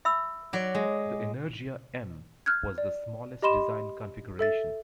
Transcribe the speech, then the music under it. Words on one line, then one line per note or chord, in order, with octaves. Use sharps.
The Energia M was the smallest design configuration.
E5 B5 E6
F#3 D5
G#3
F6 F#6 G#6
D5
G4 D#5 B5 C6 E7
A4 E5 A6